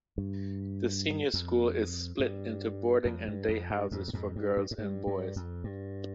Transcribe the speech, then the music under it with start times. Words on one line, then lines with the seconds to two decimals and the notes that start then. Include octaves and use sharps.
The Senior School is split into boarding and day houses for girls and boys.
0.18 G2
1.34 F2
2.20 G2
3.05 F2
3.28 G2
3.49 F2
3.70 G2
3.91 F2 G#2
4.08 G2
4.13 F2 G#2
4.36 G2
4.57 G2
4.71 G#2
4.78 G2
5.07 G2
5.36 F2
5.64 G2